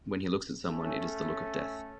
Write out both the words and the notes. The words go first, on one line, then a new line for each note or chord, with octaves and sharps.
When he looks at someone, it is the look of death.
A3 C#4